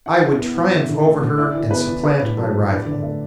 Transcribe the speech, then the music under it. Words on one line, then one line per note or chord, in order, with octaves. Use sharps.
"I would triumph over her, and supplant my rival."
E4 F#5
E3
B3
E3
E4
D3
A3
D3
E4 D5
E3
B3 B4
E3
D4 B4
A2
F#3 A4
A2
D4 B4
D3
D5
A3